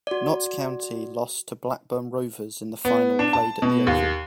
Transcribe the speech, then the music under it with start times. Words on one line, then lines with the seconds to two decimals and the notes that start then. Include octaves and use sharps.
Notts County lost to Blackburn Rovers in the final played at The Oval.
0.07 F#4 D5
2.85 B3
3.19 D4
3.33 A5
3.62 B2
3.87 D#2